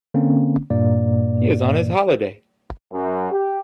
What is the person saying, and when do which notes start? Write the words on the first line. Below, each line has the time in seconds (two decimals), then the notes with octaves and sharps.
He is on his holiday.
0.14 D3 A#3 C4 C#4
0.70 G2 A#2 A#3 D5
2.92 F#2
3.31 G4